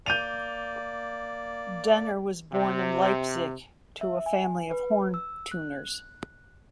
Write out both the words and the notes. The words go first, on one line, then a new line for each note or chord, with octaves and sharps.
Denner was born in Leipzig to a family of horn-tuners.
A#3 D5 G6 D#7 F7
C3
E5
G#5
B4
E6
F#6